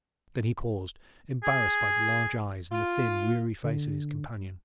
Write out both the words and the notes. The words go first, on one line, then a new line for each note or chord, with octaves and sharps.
Then he paused, embarrassed by the large eyes and the thin, weary face of his companion.
G#4
F4
D3